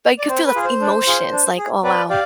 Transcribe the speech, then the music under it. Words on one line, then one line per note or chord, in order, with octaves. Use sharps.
like, you could feel the emotions, like, "Oh, wow.
D5
C4 C5
B4
F4 G#4
C5
D4
F4 G#4
D4
G#4
C4 B4 D5
G4 D5 F5